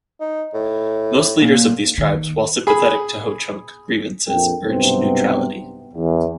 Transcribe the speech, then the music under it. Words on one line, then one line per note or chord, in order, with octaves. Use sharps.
Most leaders of these tribes, while sympathetic to Ho-Chunk grievances, urged neutrality.
D#4
A2
A#2
D#3
G#4 B5
A#1 F2 A#4 G5
B1 G2 C3 B3 C4
E2